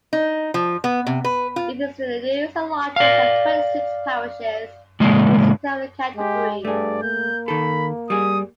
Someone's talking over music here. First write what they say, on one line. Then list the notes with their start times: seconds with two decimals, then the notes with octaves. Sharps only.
It is the newest and largest of twenty-six parishes in the City of Canterbury.
0.13 D#4
0.54 F3
0.84 B3
1.07 C3
1.24 B4
1.56 F4
2.96 D5 F5
5.00 A2 C#3 G#3 A#3
6.16 G#3 G4
6.65 G2 A3 G#4 D5
7.03 A#3 G6
7.48 D#3 A4 B5
8.10 G3 G#4 D#6